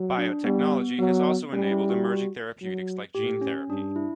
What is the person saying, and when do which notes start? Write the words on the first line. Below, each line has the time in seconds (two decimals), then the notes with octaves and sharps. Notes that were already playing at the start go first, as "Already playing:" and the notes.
Biotechnology has also enabled emerging therapeutics like gene therapy.
Already playing: F#3
0.18 D4
0.44 G3 B3
0.60 B3
0.99 F#3 B3
1.53 G3 C#4
1.71 E4
1.89 F#4
2.62 F#3
3.15 A2 G4
3.41 C#4
3.69 G2 D4
3.96 E4